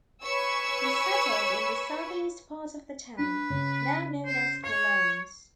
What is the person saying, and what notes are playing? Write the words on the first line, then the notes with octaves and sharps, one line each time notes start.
He settled in the southeast part of the town, now known as Clarence.
B4 C#5 G#5 B5 C#6 E6
D4 B4
C#3
C5
C#5 C7